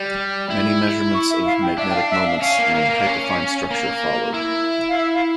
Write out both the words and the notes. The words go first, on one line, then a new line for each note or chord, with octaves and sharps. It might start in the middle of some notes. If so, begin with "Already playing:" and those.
Many measurements of magnetic moments and hyperfine structure followed.
Already playing: G3
E4
C#6
E5
F5
G5
D4 E5
G5
F5
E5
F5
E5
C#4 F5
A#3
A#3
A#3
C#4
A#3
E4
F5
E5
F5